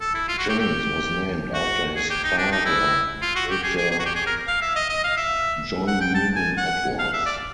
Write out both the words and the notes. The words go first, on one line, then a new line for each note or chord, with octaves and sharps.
James was named after his father and Major John Newman Edwards.
A4
E4
F4
F#4
G4
G4
F#4
G#4
G4
D#4
D4
D#4
E4
F4
F#4
G4
G#4
G#4
G#4
F#4
G4
G#4
A#4
F5
E5
D#5
D#5
F5
E5
F#5
G5
A5
G#5
F#5
F5
E5
D5